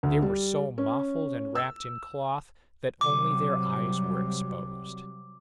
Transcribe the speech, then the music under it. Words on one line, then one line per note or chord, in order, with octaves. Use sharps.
They were so muffled and wrapped in cloth that only their eyes were exposed.
D2
G3
C#4
E6
C3 F#3 G3 D6